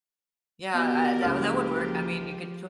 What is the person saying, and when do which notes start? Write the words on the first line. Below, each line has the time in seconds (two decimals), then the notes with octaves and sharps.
Yeah, uh, that would that would work, I mean, you could,
0.74 B2 G4 A#4
1.23 F#1 C#2 F3 F6